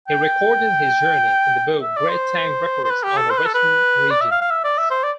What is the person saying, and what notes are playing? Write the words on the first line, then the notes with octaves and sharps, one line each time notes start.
He recorded his journey in the book "Great Tang Records on the Western Regions".
G5
E5
D5
C5
C5
B4
G4
A4
C5
B4
A4
B4
D5
E5
F5
F5
E5
D5
E5
C5
D5